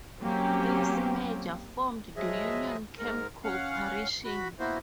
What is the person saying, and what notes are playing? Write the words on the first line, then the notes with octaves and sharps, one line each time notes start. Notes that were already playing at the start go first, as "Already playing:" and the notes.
This merger formed the Union Camp Corporation.
F#3 A#3 C4 C#4 G4
F3 F#3 G#3 G#4 D#5 E5
G#2 A#4
C#4 F5 F#5
F#4 B5
A#3 B3 E4 F#4 C5